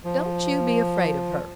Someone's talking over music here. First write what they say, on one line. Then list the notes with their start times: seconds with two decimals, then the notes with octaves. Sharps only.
Don't you be afraid of her.
0.04 F3